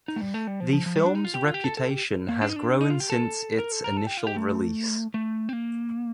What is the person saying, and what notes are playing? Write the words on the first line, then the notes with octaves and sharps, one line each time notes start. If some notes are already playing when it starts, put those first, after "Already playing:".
The film's reputation has grown since its initial release.
D#4
A3
G3
A3
G3
F3
F3
F3
G3
D4
D#4
F4
G4
F4
G4
A4
A4
G4
A#3
D4
D#4
D4
D#4
F4
G4
A4
A#4
A4
A#4
A4
G4
F4
G4
A3
A3
C4
A#3